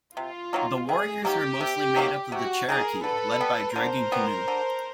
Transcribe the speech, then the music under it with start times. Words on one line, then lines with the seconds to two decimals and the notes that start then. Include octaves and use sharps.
The warriors were mostly made up of the Cherokee, led by Dragging Canoe.
0.17 C3 F4
0.53 D#3 F#3 A#3
0.88 C3 G#4
1.25 D#3 F#3 A#3 G4
1.61 C3
1.96 D#3 F#3 A#3
2.32 C3 F#4
2.68 D#3 F#3 A#3 G#4 A#4
3.04 D3 A4 B4
3.40 G3 B3
3.75 D3 A#4 C5
4.12 G3 B3
4.48 D3